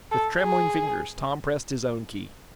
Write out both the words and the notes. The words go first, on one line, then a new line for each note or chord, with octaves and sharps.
With trembling fingers Tom pressed his own key.
A4
G#4